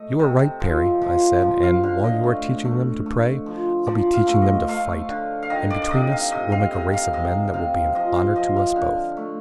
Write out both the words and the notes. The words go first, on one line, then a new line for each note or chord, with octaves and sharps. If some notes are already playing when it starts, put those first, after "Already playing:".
"You are right, Perry," I said, "and while you are teaching them to pray I'll be teaching them to fight, and between us we'll make a race of men that will be an honor to us both."
Already playing: A3 D#5
C3
F3
F3
F3
F5
D3 F5
D#5
A3
A3
A3
F3
F3 D5
F5
A3
D#5
A3 F5
D3
F5
D#3 D#5
D5
D5
C3 D#5
F5
C3 D#5
F5
C3 D#5
F5
C3 D#5
C3 F5
F3 D#5
F5
F3 D#5
F5
D3
A3